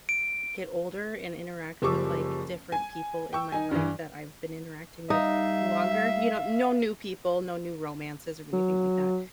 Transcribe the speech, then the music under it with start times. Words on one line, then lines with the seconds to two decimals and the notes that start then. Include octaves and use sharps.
get older and interact with, like, different people in my life that I've been interacting with longer, you know no new people, no new romances or anything like that.
0.09 D7
1.82 F#1 F3 G3 C#6 D6 E6
2.72 G#5
3.33 G5 C#6 E6
3.52 D#4 G#5
3.71 G2 E3
5.10 G3 D#4 E5 F5
8.53 F#3